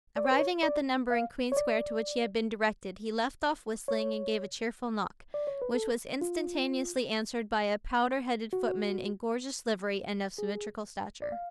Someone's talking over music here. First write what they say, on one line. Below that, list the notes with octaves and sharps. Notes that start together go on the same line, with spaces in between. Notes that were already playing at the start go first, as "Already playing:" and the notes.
Arriving at the number in Queen Square to which he had been directed, he left off whistling and gave a cheerful knock, which was instantaneously answered by a powdered-headed footman in gorgeous livery, and of symmetrical stature.
D5
C#5
B4
C#5
D5
F5
C#5
D5
C#5
D5
C#5
B4
A4
F4
F#4
G#4
D5
F5